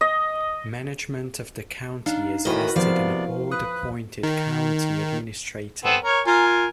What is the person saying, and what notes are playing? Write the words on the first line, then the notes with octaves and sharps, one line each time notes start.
Management of the County is vested in a Board-appointed County Administrator.
D#5
D4 D#4 F5
A2 D#3 E3 E4 F#4 A#4 B4 D#5
C3 F3 B3 D5 F5
B4 D#6 F#6
D#3
B3 C4 A4
A#4 C#5
F4 A#4 G#5